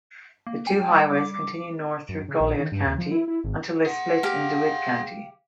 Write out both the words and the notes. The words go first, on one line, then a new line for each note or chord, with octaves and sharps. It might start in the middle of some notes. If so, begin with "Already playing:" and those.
The two highways continue north through Goliad County until they split in DeWitt County.
A#3
G5 G#5
G3
G3 D6
F#2
C#3
A#1
D#3
G2
D#2
F3
E4
E4
G#1
G#4 F#5
G4 F5